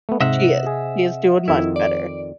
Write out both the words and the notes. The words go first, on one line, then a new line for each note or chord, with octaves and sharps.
She is, she is doing much better.
A3 B3
G#2 C3 D#5 E5 F#5
G#4
F2 D#3 E4
D5